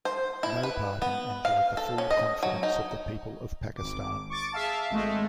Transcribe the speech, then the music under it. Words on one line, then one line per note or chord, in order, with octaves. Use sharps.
No party enjoyed the full confidence of the people of Pakistan.
C5
E4
B4
B3
F5
A4
C#4
D#5
F#3
D#4
G#1 D6
C#6 D6 A6 D7
G#4 E5 F5 A5
G#1 G#3 A3